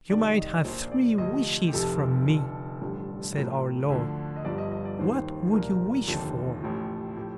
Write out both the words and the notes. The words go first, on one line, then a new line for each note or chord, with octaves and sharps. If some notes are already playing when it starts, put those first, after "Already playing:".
'If you might have three wishes from me', said our Lord, 'what would you wish for?'
C2 C3 D#3 D5
D#5
D#5
D5
A#1 A#2 F3 C5
D5
D2 C3 F3 D#5
G4
F1 F2 C3 F3 A4
F1 F2 D3 F3
A1 G2 D3 F3
A1 A2 F3 A#4
D2 D3 F3
D#5
G1 G2 F3 D5
D#5
D#5
D5
D#2 D#3 C5
C2 A#2 F3 A#4
F1 D#2 D3 F3 A4
A1 A2 F3
A2 F3 G4